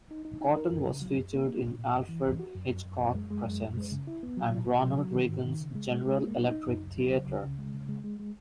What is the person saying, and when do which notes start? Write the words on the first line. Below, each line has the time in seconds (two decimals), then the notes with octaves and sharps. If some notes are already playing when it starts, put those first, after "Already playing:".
Cotten was featured in "Alfred Hitchcock Presents" and Ronald Reagan's "General Electric Theater".
0.11 D#4
0.25 D#4
0.41 D#4
0.57 A#4
0.71 F#2
0.87 C#3
1.02 F#3
1.17 F#2
1.33 A#3
1.48 A#3
1.63 A#2
1.78 A#2
1.93 F#2
2.09 E3
2.25 E3
2.39 F#4
2.55 F#2
2.70 F#2
2.85 F#2
3.01 F#2
3.15 G#3
3.30 G#3
3.46 F#2
3.61 F#2
3.77 G#3
3.91 C#3
4.07 E4
4.23 B3
4.37 F#3
4.54 B2
4.68 B2
4.84 F#3
4.99 F#3
5.14 D#3
5.29 G#2
5.44 D#3
5.60 C#3
5.75 G#3
5.91 G#3
6.06 G#3
6.22 A#3
6.37 D#4
6.52 D#4
6.66 F#2
6.82 C#2
6.97 F#3
7.13 C#3
7.28 C#2
7.43 C#3
7.59 G#3
7.74 C#3
7.89 G#3
8.04 G#3
8.20 G#3